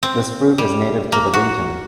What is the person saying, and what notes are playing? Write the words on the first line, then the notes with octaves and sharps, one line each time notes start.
This fruit is native to the region.
C4
G3
A#3
F#4